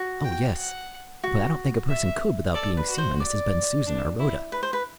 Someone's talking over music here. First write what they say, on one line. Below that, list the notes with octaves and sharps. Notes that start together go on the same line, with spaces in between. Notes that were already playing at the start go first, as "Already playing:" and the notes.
"Oh, yes; but I don't think a person could without being seen by Mrs. Bensusan or Rhoda."
Already playing: F#4
G5
F#5
F#4
E5
A4 D5
B4
F#4
C5
D5
D4
E4
B4
C5
B4